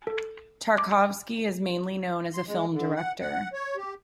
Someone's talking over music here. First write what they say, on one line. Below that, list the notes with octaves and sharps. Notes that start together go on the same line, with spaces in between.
Tarkovsky is mainly known as a film director.
A4
D6
C6
G#3
D3
F#5
F#5
C#5
G4